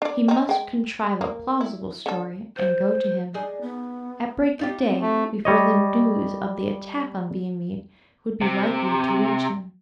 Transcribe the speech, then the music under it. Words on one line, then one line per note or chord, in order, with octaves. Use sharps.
He must contrive a plausible story, and go to him; at break of day, before the news of the attack on Viamede would be likely to reach him.
D4 D5
C4 D#4
G#3 G5
A#3
E4
D3 A4
C5
D#4 G#4 D5
B3
D#4 F4 G4
C4
A3
G3 C#5 D#5
C3